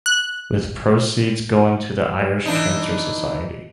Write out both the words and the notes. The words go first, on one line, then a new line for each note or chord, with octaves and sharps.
With proceeds going to The Irish Cancer Society.
F#6
E3 D4 D#4